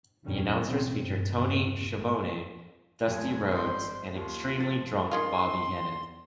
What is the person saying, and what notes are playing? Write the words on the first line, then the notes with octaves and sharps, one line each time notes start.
The announcers featured Tony Schiavone, Dusty Rhodes and an extremely drunk Bobby Heenan.
F2 A#2 D#3 F#3 G3 C#4
A1 E2 B2 C4
G2
E2 G2 C#3
A1 G#2
F1 F3 F#3 G#5
G#1 G2 C5 D5 D#5
D#2 F4
F3 A6
D#3 G#3 F4 C6